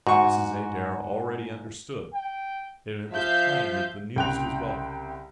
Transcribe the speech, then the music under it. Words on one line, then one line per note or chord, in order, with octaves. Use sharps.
But Mrs. Adair already understood; and it was plain that the news was welcome.
G#2 F#4 C#6
G5
F3 E5 F5 G6
C2 C#3 G5 C6 F#6 F7